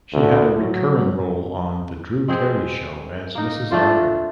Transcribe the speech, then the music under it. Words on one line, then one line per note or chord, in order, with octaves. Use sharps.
She had a recurring role on "The Drew Carey Show" as Mrs. Lauder.
D2
F#3
G#3 C4 G#4
A#3 D#4
A3 D4 F4 C5